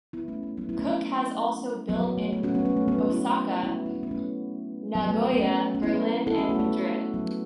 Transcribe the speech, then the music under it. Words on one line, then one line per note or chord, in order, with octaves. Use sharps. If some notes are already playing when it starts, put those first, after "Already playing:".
Cook has also built in Osaka, Nagoya, Berlin and Madrid.
B3 E4
A3 C#4
A3
F#3 B3
B3 E4
A3 C#4
A3 C#4
F#3 B3
F#3
A3
A3
C#4 F#4
F#3 B3
A3 C#4
A3
F#3 B3
A3 C#4
B3 E4
B3 E4
E4
C#4
B3
A3 C#4
F#3 B3
A3
A3
B3
A3 C#4
C#4
B3 E4
E4 A4
C#4 F#4
A3
B3
A3
A3
F#3 B3